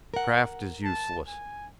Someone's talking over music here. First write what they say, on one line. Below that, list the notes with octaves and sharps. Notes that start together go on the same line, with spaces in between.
Craft is useless!
A#4 F#5
A5
G#5